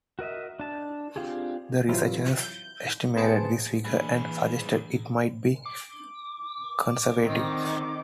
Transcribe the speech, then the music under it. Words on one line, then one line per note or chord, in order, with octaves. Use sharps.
The researchers estimated this figure and suggested it might be conservative.
F#4 A#4 D#5 E5
D4 A5
C4 D4 F4 G4 G#4
C3 E3 F#3 E4 F4
G6
B3 G#4 C5 A5 C#7 D7
E3 G3 A#3 D4 G#4 B4
D6
D3 D#3 C4 D#4